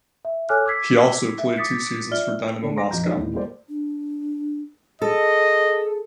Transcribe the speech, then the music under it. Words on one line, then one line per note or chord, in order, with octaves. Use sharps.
He also played two seasons for Dynamo Moscow.
E5
A4 C#5 G#5 D6 F6 F#6
D6 E6 G#6 B6 C7
E5
D6 D#6 A6 B6 C#7
F4 D5 E5 F6 G7
A#2 D3 A3 A#3 D4
F#5 A#5 C6 D6 A#6 D7
A#1 F2 F#4 D#5 A#5 G6
D4 D#4 F4 F#4 A4 C#5
D#1 A2 E3
G3 G#3 A#3 A4 C5 D5
D4
G#4 A4 D#5